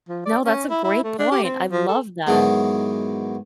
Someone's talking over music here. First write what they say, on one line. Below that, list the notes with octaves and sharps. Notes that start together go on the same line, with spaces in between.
No, that's a great point, I love that.
F3
D5
C#4
E4
E4
A3
D4
G4
C4
F3
A4
G#2 B2 D#3 E3 F#3 G#4